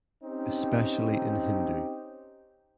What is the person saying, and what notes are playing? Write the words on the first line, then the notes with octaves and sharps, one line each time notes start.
Especially in Hindu.
C4 C#4 D#4 G4